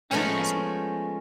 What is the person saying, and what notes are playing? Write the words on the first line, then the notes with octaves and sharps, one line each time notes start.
Ah, I see.
F3 G#3 A3 B3 C#4